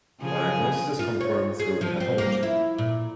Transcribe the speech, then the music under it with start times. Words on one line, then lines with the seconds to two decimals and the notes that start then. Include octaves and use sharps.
Diagnosis is confirmed through pathology.
0.19 C#3 F3 G#4
0.99 F4
1.21 C#5
1.60 G#4
1.81 F3
2.00 C4
2.18 A#3
2.43 E4
2.78 A#2